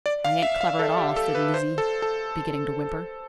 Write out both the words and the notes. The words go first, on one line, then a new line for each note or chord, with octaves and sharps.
"I ain't clever at all," said Lizzie, beginning to whimper.
D5
F5
E5
F5
A4
G4
A4
B4
C5
A4
A4